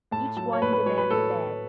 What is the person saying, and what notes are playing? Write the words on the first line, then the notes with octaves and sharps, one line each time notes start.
Each one demands a bed.
A2 A5
F#3 A5
C#5
A2 B4
B4
F#3 C#5
B4
A2 A4